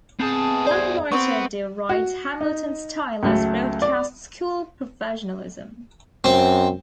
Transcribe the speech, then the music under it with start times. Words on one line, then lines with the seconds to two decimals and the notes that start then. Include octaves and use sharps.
One writer derided Hamilton's style as broadcast-school professionalism.
0.20 B3 C4 G#4 A5
0.67 E2 C5 D5 G#6
1.12 B3 C4 C#6
1.89 F#4
2.41 D#4
3.23 C#2 F#3 A3
3.82 D5
6.24 F#2 C4